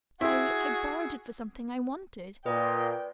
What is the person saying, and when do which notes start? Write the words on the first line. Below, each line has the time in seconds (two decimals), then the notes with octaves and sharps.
I--I borrowed it for something I wanted.
0.21 E4 F#4 G#4
2.46 A#2 B4 D5 D#5 G5